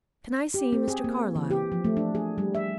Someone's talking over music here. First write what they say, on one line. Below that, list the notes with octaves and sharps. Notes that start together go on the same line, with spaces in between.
"Can I see Mr. Carlyle?"
G4
C4
G#4
A#3
E3
G4
F3
A3
D4
G#4
G3
E5